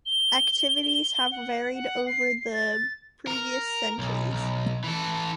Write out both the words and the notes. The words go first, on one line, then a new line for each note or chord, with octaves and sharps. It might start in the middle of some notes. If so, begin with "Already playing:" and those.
Activities have varied over the previous centuries.
G7
F#5
F#5
C7
A6
A#4
B1
B1
E3 A4